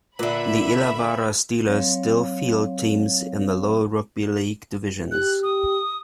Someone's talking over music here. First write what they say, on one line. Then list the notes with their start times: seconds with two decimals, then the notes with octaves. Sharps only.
The Illawarra Steelers still field teams in the lower rugby league divisions.
0.19 A#2 D3 B4 E5 B5
1.66 F#3 C4 C#5 F5
5.11 G4 F#6
5.43 D#6